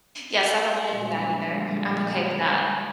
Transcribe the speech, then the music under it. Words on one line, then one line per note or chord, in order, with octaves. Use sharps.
Yes, I don't wanna do that either. I'm okay with that.
A#2 D3 F3 G3 G#3